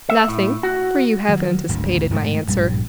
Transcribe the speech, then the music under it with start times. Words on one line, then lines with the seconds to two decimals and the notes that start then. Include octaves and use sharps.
"Nothing, for you have anticipated my answer."
0.10 E5
0.28 A2
0.63 F#4
1.29 D#3 F#3
1.69 G#1 D2 D3
2.10 F1 G#2 B2 A3
2.48 A#1 G2 G3